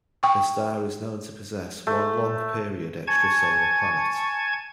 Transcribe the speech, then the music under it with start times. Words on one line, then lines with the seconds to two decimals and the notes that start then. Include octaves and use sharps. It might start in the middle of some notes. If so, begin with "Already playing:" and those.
The star is known to possess one long-period extrasolar planet.
0.23 G5 C#6
1.87 A3
3.07 G#5 A5 C#6 G#6